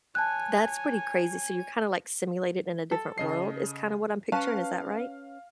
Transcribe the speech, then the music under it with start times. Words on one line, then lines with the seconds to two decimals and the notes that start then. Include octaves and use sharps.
that's pretty crazy. So you're kinda, like, simulated in a different world is kinda what I'm picturing, is that right?
0.15 C#5 G#5 A5 F#6
2.91 A4
3.18 C#3 D#5 C7
4.32 C#4 B4 F5 A5